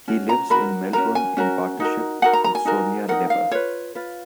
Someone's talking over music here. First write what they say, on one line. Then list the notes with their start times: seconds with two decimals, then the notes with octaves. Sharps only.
He lives in Melbourne in partnership with Sonia Leber.
0.08 C#4 F#4
0.29 A#5
0.50 C#4 F#4 A#4 B5
0.93 C#4 F#4 A#4 A#5
1.15 G#5
1.37 C#4 F#4 A#4
1.80 D#4 F#4 A#4
2.22 D#4 F#4 A#4 F#5
2.33 A#5
2.44 A#5
2.55 G#5
2.65 D#4 F#4 A#4
3.08 D#4 F#4 A#4 F#5
3.30 F5
3.51 F4 B4 C#5
3.95 F4 B4